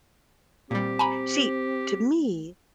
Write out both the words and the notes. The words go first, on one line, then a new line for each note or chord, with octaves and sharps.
See, to me,
A#2 G3 C4 G4
G#5 A#5 B5